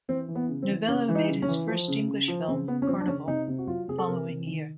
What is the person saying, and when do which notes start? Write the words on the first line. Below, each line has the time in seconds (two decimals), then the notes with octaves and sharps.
Novello made his first English film, "Carnival", the following year.
0.08 E3 C4
0.28 E3
0.35 B3
0.49 C#3
0.62 C4
0.69 E3
0.88 C#3 C#4
1.09 E3
1.15 D#4
1.29 C#3
1.42 C#4
1.48 E3
1.68 F3
1.88 C#3
2.08 C#3
2.28 F3
2.48 C#3 C4
2.68 C#3 B3
2.82 C#4
2.88 F3 C4
3.01 D4
3.07 C#3 C#4
3.27 C3 D#4
3.48 C3
3.58 F#4
3.67 F#3 F4
3.88 C3 G#4
3.98 A4
4.08 C3 A#4
4.28 C3
4.47 D#3